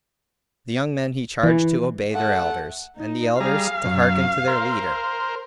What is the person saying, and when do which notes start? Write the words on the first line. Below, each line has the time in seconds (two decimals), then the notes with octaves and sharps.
The young men he charged to obey their elders, and the elders to hearken to their leader.
1.43 E3
2.13 A3 F#5
2.96 D#4
3.40 G3 G#4 F5 A#5
3.85 F#2
4.48 A#4 C5